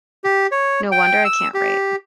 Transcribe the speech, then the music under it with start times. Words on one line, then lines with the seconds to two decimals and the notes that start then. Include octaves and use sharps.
No wonder I can't write!
0.24 G4
0.52 C#5
0.92 G5
1.25 E6
1.54 G4